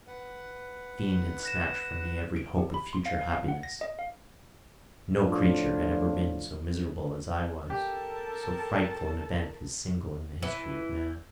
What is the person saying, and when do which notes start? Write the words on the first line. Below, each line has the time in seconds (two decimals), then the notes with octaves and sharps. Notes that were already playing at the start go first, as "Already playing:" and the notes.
A fiend had snatched from me every hope of future happiness; no creature had ever been so miserable as I was; so frightful an event is single in the history of man.
0.07 B4 F#5
1.43 F#6 A#6 E7
2.36 D7
2.58 G4
2.74 B5
2.93 C6
3.06 F5
3.17 F5
3.30 F5
3.48 F#5
3.63 A#6
3.81 D#5
3.99 F5
5.23 A2 F3 D4 F4
7.70 G4 A4 A#4 A5
10.42 E3